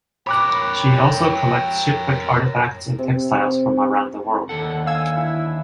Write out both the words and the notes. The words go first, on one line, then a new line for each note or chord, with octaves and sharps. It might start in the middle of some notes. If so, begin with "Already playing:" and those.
She also collects shipwreck artifacts and textiles from around the world.
A#4 C#5 G5 B5 D6 F#6
C3
D#2 D3 A4 F#5
F5 G#5 E6 G#6
E4